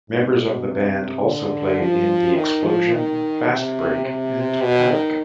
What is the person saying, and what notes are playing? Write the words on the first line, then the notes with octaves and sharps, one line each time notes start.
Members of the band also played in The Explosion, Fastbreak, and Panic.
G#2
B2
C3
D3
F3
D#3
F3
D#3
C3
C3
B2
D#3